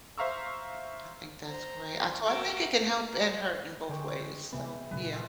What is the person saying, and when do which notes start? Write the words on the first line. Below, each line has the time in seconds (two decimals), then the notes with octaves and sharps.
I think that's great. I So I think it can help and hurt in both ways. So, yeah.
0.18 C5 E5 F5 A#5 C#6 E6
1.47 C5 A#5
2.26 F#4 A#4 G5 A#5 D6 E6
3.89 D3 G#3 G5 C#6
4.53 C#2 C3 E3 B3
4.91 A#2 C#3 F#3 B4
5.13 F4 B4 E5